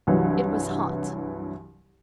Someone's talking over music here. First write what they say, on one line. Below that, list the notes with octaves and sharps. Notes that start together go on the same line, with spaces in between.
It was hot.
C2 G2 E3 F#3